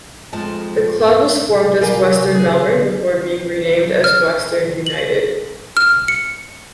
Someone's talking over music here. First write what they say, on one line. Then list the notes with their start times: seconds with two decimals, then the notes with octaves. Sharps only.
The club was formed as Western Melbourne before being renamed as Western United.
0.33 F2 F3 G#3 A5
1.00 G#2
1.81 G4 G#4 A#4 B4 F5 G#5
2.35 G#4 B4
4.04 F6
4.86 F#7
5.77 F6
6.08 C#7